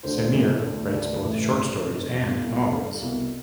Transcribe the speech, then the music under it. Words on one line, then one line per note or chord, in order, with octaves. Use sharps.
Samir writes both short stories and novels.
D2 D3 C5
B1 A2 E3
D2 D3
D2 D3 D5
A1 A2 E3
A1 G2 D3
F1 F2 C3
E1 E2 B2 F5
C2 B2
G1 G2 D3 F5
C2 B2